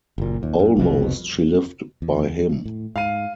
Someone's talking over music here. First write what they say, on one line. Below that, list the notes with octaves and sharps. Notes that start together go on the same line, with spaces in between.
Almost she lived by him.
F#1 A#2
D#2
F#2
F1 C2 F2 B2
E2
A2
G#2 F5 D#7